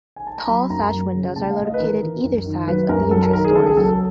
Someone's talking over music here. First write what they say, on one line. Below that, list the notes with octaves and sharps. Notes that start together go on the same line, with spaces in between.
Tall sash windows are located either side of the entrance doors.
G#5
A5
A#5
F#3 B5
F#2 A#5
F#3
C#3
A2 A5
F5
A2
D#5
B4
E3 A#4
E3
F#2
D#3
F#3 B4
F#2 A#4
F#3 A4
A#4
D#3 A#4
G#4
C#2 A4
G#4
F#3 A4
A4